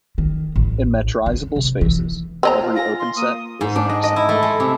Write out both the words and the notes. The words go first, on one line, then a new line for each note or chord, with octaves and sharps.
In metrizable spaces, every open set is an F set.
D#3
A1
D3
C3
E3
B3 C4 B4 C5 D#5 A#5
F4
F5 G#5 A#6
C6
A#3 D#6
G#2
D4
D#5
D#5
E4
A3
G#3
C3